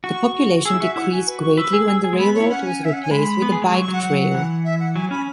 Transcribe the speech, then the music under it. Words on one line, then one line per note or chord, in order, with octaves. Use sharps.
The population decreased greatly when the railroad was replaced with a bike trail.
F#4 C#6
G#4 E6
E4
F#4 E5
E4 F#5
F#4 G#5
B4
C#6
B4 E6
G#4
G#4
G#4
G#3
B3 B5
C#5
E4
C#4 F#5
G#5
E5
F#5
G#5
G#3 B5
B3
G#4
G#3
F#3 C#6
C#6
F#3 F#5
F#3 F#5
E3
E5
F#5
F#3 G#5
C#4 B5